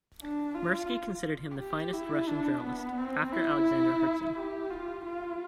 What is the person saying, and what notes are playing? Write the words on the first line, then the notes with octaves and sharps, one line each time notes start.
Mirsky considered him the finest Russian journalist, after Alexander Herzen.
D4
F4
G4
E4
D4
B3
C4
E4
G4
F4
F4